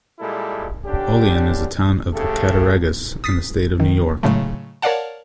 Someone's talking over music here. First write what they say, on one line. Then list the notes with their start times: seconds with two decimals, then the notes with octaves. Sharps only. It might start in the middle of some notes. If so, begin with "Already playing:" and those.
Olian is a town of the Cattaraugus, in the state of New York.
0.20 A#2 G3 G#3 E4 A4
0.85 D3 C#4 D4 G4
2.13 C#3 A3 G4 A4
3.24 D#6 A6 B6 C7
3.80 D#3
4.23 A2 C#3 F#3 G#3 A3
4.82 A#4 C#5 D5 F5 F#5 A5